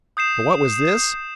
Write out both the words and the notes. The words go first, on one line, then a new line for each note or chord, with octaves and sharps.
But what was this?
D#6 G6 C7 E7